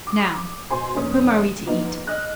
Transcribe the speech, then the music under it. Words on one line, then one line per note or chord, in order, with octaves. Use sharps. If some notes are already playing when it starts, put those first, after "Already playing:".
"Now, whom are we to eat?"
D6 D#6
B2 C5 G#5 C6
F1 A#3 C#4 D#6
F3 A#3 B3 D#4 F4
D#5 F6 F#6